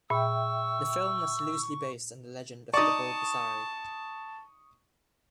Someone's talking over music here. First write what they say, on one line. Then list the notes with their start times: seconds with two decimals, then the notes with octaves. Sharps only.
The film was loosely based on the legend of the Bulgasari.
0.10 A#2 E5 G5 C#6 E6
2.74 D#4 D5 A5 C#6 D#6